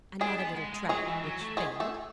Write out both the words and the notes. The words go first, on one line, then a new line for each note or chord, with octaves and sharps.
Another little trap which failed.
G#3 D4 G#4
B3
G#3
G#3
F#3 G#3 G#4
E3
F#3
A3
G#3 G#4
A3 A4